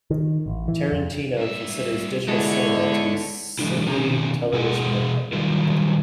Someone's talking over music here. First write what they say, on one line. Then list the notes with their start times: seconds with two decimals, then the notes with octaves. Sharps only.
Tarantino considers digital cinema to be simply television in public.
0.10 D#3
0.46 A1
0.68 E3
0.92 F2
1.36 G2 E5
2.28 G#3 B3 D4 E4 A4 C#5
3.59 E3 F#3 G#3 A3 D4 E4
3.86 B2 D#3 C#4 A#5
4.53 B2 G#4 F#5
5.33 D#3 F#3 G3 F4